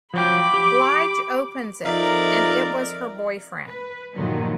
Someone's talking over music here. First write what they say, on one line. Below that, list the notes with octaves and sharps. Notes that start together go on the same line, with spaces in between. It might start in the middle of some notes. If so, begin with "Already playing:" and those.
Blige opens it and it was her boyfriend.
F3 F#3 G5 B5 D6
G4
F2 D#4 A#4 D5 E5 F5
B4
G2 A#2 D3 D#3 F3 F#3